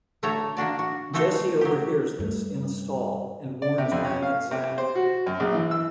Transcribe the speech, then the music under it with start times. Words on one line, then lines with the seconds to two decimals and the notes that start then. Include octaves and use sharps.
Jesse overhears this, in a stall, and warns Mac and Zack.
0.23 D3 A3 F#4 A4 C#5 A#5
0.57 A#3 D4 F#4 D5
0.79 F#4
1.14 G#3 A3 F#4 A4 C5
1.61 F#3 G4
2.19 G2 A3
3.62 D5
3.78 C3
3.91 F2
4.05 C#4
4.22 F5
4.51 C3
4.78 C5
4.95 F#4
5.26 F#2
5.40 A#1
5.54 E3
5.71 E6